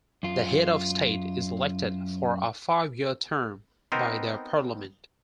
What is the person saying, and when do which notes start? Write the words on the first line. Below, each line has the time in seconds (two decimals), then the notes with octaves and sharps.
The head of state is elected for a five-year term by the parliament.
0.23 F#2 F4
3.92 B3 C4 D#4 A#4 C5 D#5